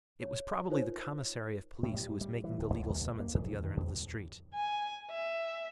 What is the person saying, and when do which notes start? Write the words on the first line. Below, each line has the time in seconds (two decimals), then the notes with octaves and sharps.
It was probably the commissary of police who was making the legal summons at the other end of the street.
0.22 C#5
0.70 D#4 F4 A#4 C5 C#5
1.83 A2
1.94 G3
2.21 G3
2.44 E3
2.59 D1
2.74 C#2
2.90 D#2
3.20 A#3
3.35 F2
3.64 D#3
3.77 E2
4.55 G#5
5.11 E5